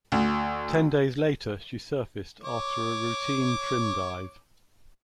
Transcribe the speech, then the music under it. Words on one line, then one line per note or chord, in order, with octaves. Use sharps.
Ten days later, she surfaced after a routine trim dive.
D2
C#5 D6